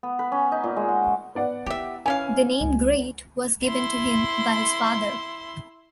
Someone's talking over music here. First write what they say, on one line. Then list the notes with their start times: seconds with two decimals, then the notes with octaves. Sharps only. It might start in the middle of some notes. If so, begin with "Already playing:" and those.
The name ‘Great’ was given to him by his father.
0.03 B3
0.19 B4
0.32 C#4
0.52 D#4
0.64 A#2
0.77 G#3
0.88 F#5
1.35 B3 D5 F#5
1.66 E4 G4 E5
2.06 E3 C#4 F5 G#5
2.61 C#2
3.65 E4 C6